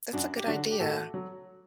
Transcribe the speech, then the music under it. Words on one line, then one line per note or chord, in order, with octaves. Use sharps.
That's a good idea.
F#2 D4 F#4
G4
D3 F#3 D4 F#4
G4
A2 F#4 A4
F#3